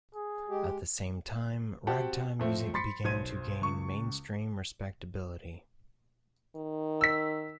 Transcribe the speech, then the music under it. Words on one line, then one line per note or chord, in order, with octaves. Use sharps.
At the same time, ragtime music began to gain mainstream respectibility.
G#4
G#3 G4
C4 F#4 G4 F#5 G5 A5
F2 A3 C4
B5 C6 A6 B6 C#7
B1 C5 G#6 D#7
C#2 C#6
D#3
E6 B6